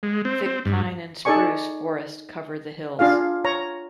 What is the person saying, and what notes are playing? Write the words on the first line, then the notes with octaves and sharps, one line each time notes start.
Thick pine and spruce forests cover the hills.
G#3
C4
C4
G2
D#4 G#4 A4 D5 G#5 C#6
D4 F4 G#4 F5
C#5 A#5